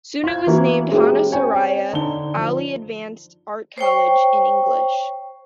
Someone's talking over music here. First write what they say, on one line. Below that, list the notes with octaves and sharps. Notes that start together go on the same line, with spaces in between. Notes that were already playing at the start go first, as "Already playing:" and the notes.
Soon it was named Honarsaraye Ali-Advanced Art College in English.
F4 G#6
E3 A#3 E4 F#4
G#3 C#4 E4 F#4 G4 A#4
C4 C#5 G5 G#5
D3 D#4 G7
F3
C5 C#5 G5 C#6